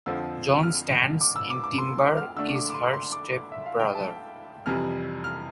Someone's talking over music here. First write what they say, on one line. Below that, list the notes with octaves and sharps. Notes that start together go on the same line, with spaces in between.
John Stands In Timber is her step brother.
F2 D3 F3 C4 E6
F6
D6
E6
D6
D6
C6
D6
F6
D3 A3 D4 E6
D6
D6
C6
D6
C6
D6
D6
E5
F5
G5
A5
F2 C3 E3 G3 F6
F6